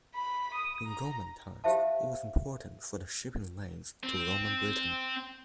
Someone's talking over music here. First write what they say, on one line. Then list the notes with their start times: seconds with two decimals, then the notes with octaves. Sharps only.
In Roman times, it was important for the shipping lanes to Roman Britain.
0.15 B5
0.53 D#6
0.86 A#5
1.64 G4 C5 E5 F5 A5
4.03 C4